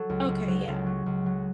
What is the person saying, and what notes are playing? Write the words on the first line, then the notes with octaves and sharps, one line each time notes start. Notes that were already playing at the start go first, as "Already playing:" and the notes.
Okay, yeah.
Already playing: F#3 A4
C#2
C#2
F#3
C#2
F#3
C#2
F#3